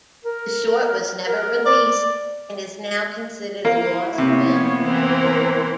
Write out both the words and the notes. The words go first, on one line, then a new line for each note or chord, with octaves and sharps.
The short was never released and is now considered a lost film.
A#4
A#4
D5
A#3 E4
C3 A#3 B3 C#5
E3 C4 A#4 C5